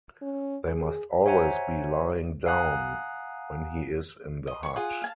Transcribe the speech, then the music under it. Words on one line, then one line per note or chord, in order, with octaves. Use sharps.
They must always be lying down when he is in the hut.
C#4
G#4
C5 C#5 E5 F#5 G#5 A#5
F5 F#5 G#5 A#5 D#6 F#6
D#5
C#5 C#6
F4 G#4 F#5
F5 G#5 A5